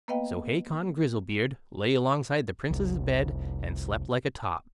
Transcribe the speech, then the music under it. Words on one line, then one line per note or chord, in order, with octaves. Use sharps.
So Hacon Grizzlebeard lay alongside the Princess' bed, and slept like a top.
A#3 B3 B4 D#5 F5 G5
F1 C2